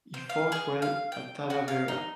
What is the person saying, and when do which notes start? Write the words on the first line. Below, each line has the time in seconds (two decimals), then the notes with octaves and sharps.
He fought well at Talavera.
0.14 C5
0.29 F5
0.52 G#4
0.82 F5
1.12 G5
1.50 F#4
1.68 F5
1.88 D#4